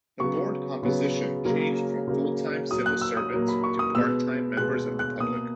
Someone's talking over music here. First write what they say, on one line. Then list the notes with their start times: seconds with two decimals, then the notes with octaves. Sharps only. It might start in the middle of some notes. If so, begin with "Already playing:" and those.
The Board composition changed from full-time civil servants to part-time members of the public.
0.20 C#3 F#3 B3 C#6
0.83 C#3 F#3 B3
1.45 C#3 F#3 A#3
2.07 C#3 F#3 A#3
2.71 A#2 F#3 A#3 D#6
2.86 F#6
3.01 E6
3.17 D#6
3.33 A#2 F#3 A#3
3.48 B5
3.64 C#6
3.79 D#6
3.95 B2 G#3 B3 E6
4.57 B2 G#3 B3 F#6
4.99 F#6
5.20 B2 A#3 D#6